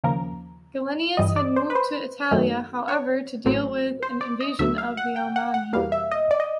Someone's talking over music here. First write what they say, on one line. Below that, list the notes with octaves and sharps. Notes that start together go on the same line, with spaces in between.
Gallienus had moved to Italia, however, to deal with an invasion of the Alamanni.
D#2 C#3 F3 A#3 A#4
G2 E3 G3 D#5
D5
C5
B4
C5
F#2 D#3 F#3 A3
C#5
A1 A2 F#3 A3 C4
C5
D5
D#5
D2 D3 F#3 A3 E5
F5
F#5
G5
F#5
F#5
E2 B2 G3 A#3 F5
E5
D#5
D5
D#5